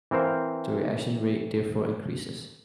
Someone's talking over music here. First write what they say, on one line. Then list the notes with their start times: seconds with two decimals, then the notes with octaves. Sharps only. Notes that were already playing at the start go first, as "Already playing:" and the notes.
The reaction rate therefore increases.
0.11 E3 C4 A#4 C5 F5